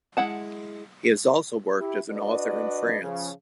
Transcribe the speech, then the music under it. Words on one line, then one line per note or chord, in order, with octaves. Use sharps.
He has also worked as an author in France.
G#3 E4 F#5 A5
E4 G4
D4 F#4 B4 D5 D#5
C#3 F3